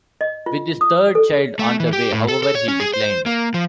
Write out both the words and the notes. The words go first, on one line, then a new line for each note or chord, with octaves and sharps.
With his third child on the way, however, he declined.
D#5
F4
D#6
A4
A3
E3
G4
A2
A4
A4
C#5
C#4
G#4
C5
A#3
F3